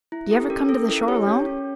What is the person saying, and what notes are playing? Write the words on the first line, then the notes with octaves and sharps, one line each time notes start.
"Do you ever come to the shore alone?"
E4
G4 A4
C#4 A#4
C#4 A4
A4
E4 A#4
G4 C#5
C#4
C#4